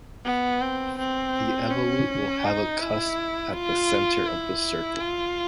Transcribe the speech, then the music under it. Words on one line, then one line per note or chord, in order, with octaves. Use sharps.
The evolute will have a cusp at the center of the circle.
B3
C4
C4
C#4
D#4
E4
F4
E4
F4